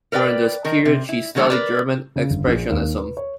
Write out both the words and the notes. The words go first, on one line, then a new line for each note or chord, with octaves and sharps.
During this period she studied German Expressionism.
A#4 B4 D5 D#5 G5
D#3 A#4
C3
E4
C3 D#3 F#3 G#3 A3 B3
A#4 B4 D5
C#3
G1
A#1
D#2
B4
C#5